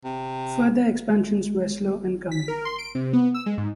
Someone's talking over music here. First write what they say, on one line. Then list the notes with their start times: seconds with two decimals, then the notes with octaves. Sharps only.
Further expansions were slow in coming.
0.05 C3
1.09 G#3
2.31 B6
2.48 A#4
2.65 C6
2.79 D7
2.95 C3
3.13 B3
3.34 E6
3.46 G#3
3.58 G#2